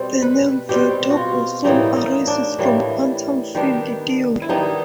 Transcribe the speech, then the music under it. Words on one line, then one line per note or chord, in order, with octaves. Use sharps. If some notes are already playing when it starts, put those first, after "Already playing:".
The name "vector boson" arises from quantum field theory.
Already playing: B2 G3 C4 C5
B4
B2 G3 C4 G4
F#4
F4
A2 E3 G3 A#3 D#4
D#4
D4
A2 E3 G3 A#3
D#3 G3 B3 D4
E4
D#3 G3 B3 D4 D#4